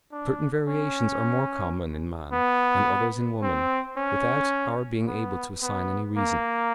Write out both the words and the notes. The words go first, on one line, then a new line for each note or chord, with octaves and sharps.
Certain variations are more common in man, and others in woman, without our being able to assign any reason.
D4
C#4
B3
C4
C#4
B3
B3
A#3